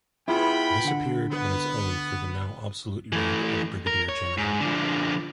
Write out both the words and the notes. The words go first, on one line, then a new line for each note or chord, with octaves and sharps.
This appeared on its own for the now obsolete rank of brigadier-general.
B3 E4 F4 G#4 G5 B5
D3 F#5
B3
E3 A3
A#4
C#5
G#2
D3 F3